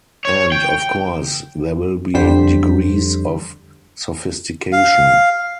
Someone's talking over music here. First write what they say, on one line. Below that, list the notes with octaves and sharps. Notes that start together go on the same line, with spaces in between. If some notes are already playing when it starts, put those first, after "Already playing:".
And, of course, there will be degrees of sophistication.
C#5
G5
F2 D3 G3 C5 B6
F5